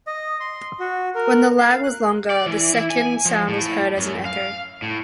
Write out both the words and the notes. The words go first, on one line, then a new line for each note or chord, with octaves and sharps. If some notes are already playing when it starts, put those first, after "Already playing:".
When the lag was longer, the second sound was heard as an echo.
D#5
C6
F#4
A#4
F5
F#6
D5
E3
E4
G#5
F3
A2
F#2
F5
A2